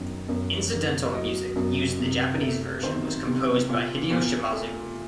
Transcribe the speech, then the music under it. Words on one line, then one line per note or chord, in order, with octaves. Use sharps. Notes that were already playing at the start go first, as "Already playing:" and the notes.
Incidental music used in the Japanese version was composed by Hideo Shimazu.
Already playing: F#2 D#3
F#2
A#3
F#3 D#5
F#2
C3
A3
D#3 C5
C3
A#2
A#2
A3